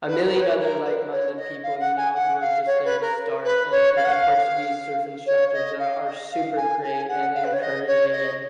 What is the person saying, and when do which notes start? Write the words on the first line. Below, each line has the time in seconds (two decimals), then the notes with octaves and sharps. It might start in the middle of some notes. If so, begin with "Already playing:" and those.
a million other like-minded people, you know, who are just there to start. And and the Portuguese surf instructors are are super great and encouraging, and
0.07 B4
0.24 A#4
0.35 B4
0.41 C#5
0.59 A#4
0.84 B4
1.11 C#5
1.37 D#5
1.63 F5
1.79 F#5
1.97 G#5
2.14 F#5
2.40 F5
2.66 C#5
2.84 B4
3.01 A#4
3.44 B4
3.71 C#5
3.96 F5
4.04 F#5
4.11 F5
5.26 C#5
5.53 D#5
5.79 F5
6.05 D#5
6.31 F5
6.56 G#5
6.83 G#5
7.08 F#5
7.34 F5
7.44 B4
7.53 C#5
7.61 D#5
7.87 C#5
8.12 D#5